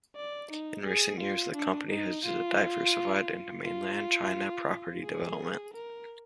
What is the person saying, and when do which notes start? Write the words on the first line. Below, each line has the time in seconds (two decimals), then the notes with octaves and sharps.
In recent years, the company has diversified into mainland China property development.
0.16 D5
0.51 D#4
0.86 G#4
1.21 F4
1.56 D4
1.90 D#4
2.26 F4
3.65 F4
5.04 G#4
5.74 A#4